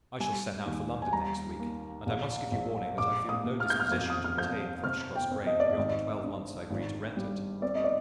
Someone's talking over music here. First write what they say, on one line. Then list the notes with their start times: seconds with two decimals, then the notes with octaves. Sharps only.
I shall set out for London next week; and I must give you warning that I feel no disposition to retain Thrushcross Grange beyond the twelve months I agreed to rent it.
0.20 G3 G#5
0.66 D#2
1.02 G#5
1.13 G3 A#5
1.59 A#3
2.06 A#1
2.51 A#1
2.98 A#1 D6
3.29 D#6
3.44 A#2
3.60 F6
3.70 G6
3.80 F6
3.91 F2 G#6
4.10 D#6
4.24 F6
4.37 F2 G6
4.84 C3 F6
5.16 G5
5.31 C4
5.47 D#5
5.60 D5
5.73 G#1 D#5
6.24 G2
6.70 G#1
7.17 G3
7.62 C4 D5
7.75 D#5
7.84 D5